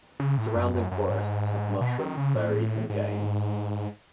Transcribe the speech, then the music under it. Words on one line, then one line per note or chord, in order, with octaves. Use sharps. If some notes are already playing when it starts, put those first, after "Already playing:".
Surrounding forests have mushrooms, berries and game.
C#3
A2
F#2
F#2
F#2
G#2
B2
D#3
C#3
A2
G#2